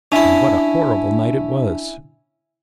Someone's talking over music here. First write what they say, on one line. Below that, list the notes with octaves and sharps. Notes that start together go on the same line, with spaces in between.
And what a horrible night it was!
C#4 D4 E4 E5